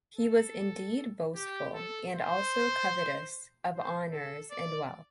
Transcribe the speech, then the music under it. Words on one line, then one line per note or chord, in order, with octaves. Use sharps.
He was indeed boastful, and also covetous of honours and wealth.
A4
G4
A4
C5
C5
A4
D5